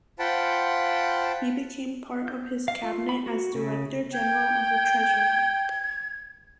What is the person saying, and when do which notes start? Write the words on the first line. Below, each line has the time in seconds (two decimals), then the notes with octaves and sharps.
He became part of his cabinet as director general of the treasury.
0.19 F4 C5 F#5 G5 A5 B5
2.28 G6
2.68 F5
2.83 F4
3.09 B5
3.26 F#4
3.54 C#3
4.14 G5 G#6